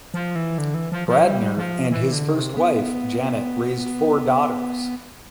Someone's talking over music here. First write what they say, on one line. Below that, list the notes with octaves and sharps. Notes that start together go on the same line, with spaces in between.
Bradner and his first wife Janet raised four daughters.
F3
E3
D3
E3
F3
F3
G3
F3
E3
D3
C3
B3